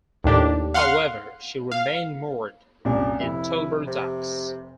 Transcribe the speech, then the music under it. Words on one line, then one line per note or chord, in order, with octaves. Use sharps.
However, she remained moored in Tilbury Docks.
D#2 A2 D4 G4
F5 F#5 C6 F6
F5
C2 F#2 A#2 D4
F1 E4
C3